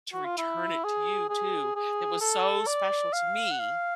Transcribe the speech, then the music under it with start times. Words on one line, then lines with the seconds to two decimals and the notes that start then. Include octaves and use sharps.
to return it to you too," it was so special to me
0.13 F#4
0.25 F4
0.38 E4
0.84 G#4
1.29 G#4
1.75 G#4
2.21 A4
2.67 D5
3.13 F5
3.51 F#5
3.59 F5